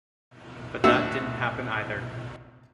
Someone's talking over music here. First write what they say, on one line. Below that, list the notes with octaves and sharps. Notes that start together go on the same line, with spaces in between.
But that didn't happen either.
D2 A2 F#4 E5 F#5 E6